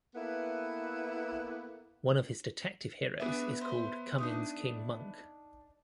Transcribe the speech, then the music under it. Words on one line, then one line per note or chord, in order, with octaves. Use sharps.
One of his detective heroes is called Cummings King Monk.
A#3 B3 E4 A4 B4
B3 D4 G#4 E5
C5
D4 D#4 D#6